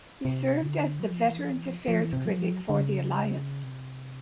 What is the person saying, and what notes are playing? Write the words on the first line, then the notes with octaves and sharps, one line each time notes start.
He served as the Veterans Affairs critic for the Alliance.
C3
D3
F#3
F3
E3
F3
E3
F3
F3
E3
C3
F#3
F3
F#3
D3
C#3
C3